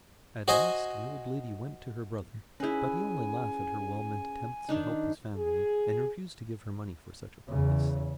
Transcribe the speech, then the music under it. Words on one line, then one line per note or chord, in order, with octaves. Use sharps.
At last, the old lady went to her brother, but he only laughed at her well-meant attempts to help his family, and refused to give her money for such a purpose.
F#4 C5 D#5 G#5
C#4 E4 G#4 B4 G#5
D#3 D4 D#4
G#4
E2 C#3